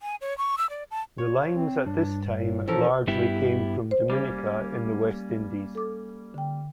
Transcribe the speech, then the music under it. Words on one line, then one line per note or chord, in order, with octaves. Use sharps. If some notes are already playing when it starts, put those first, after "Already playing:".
The limes at this time largely came from Dominica in the West Indies.
G#5
C#5
C#6
E6
D5
A5
C#5
C4
G2 D4
A2
E3 F3 C#4 A4 A#4
G2 G3 B3 E4 G4
C5
G3 A#3 C#4
A4 D6
D3 G5